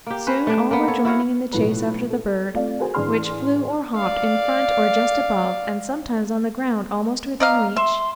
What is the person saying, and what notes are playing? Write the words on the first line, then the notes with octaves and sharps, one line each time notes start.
Soon all were joining in the chase after the bird, which flew or hopped in front or just above, and sometimes on the ground almost within reach.
A#3 G4
C#4 B4 C5
A3 D4
A#3 B3
A4 C#5
E4 F#4 C#5 F5
B1 A2 F3 A3 B4
A4
A3 C4 F4 D5 F5
F#4 G#4 A#4 C5 G#5
A1 E3 D4 G#4 C6 F6
D5 F5
D5 D#5 F5 A#5
E5 C6